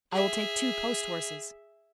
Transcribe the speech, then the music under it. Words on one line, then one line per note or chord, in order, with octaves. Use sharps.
"I will take two post-horses."
G#4 E5